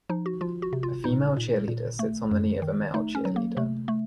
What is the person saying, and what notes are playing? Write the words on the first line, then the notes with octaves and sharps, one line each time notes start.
A female cheerleader sits on the knee of a male cheerleader.
F3 D#4
F#4
F3 F4
F#4
C3
F4
A#2 D#4
A#2
A#2
A3
F#2
D#3
A3 D#4
C#4
F#3
A#3
C3 A3
A3